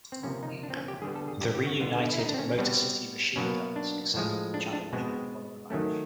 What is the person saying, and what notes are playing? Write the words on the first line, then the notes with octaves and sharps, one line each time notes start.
The reunited Motor City Machine Guns accepted the challenge and won the match.
C4
C3 F3 A#3 C#4
D#4
D4
C4
C#4
G4
D3 G3 B3 G#4
A4
G#4
G4
G4
F#4
D3 G3 B3 F4
E4
E4
D#4
D4
C4
C#4
C#4
B2 G3 B3 C4
B2 F#3 A#3 C#4
D4
A2 F3 G#3
D4
D4
B2 G#3 B3 C4
D#3 F#3 A3 C#4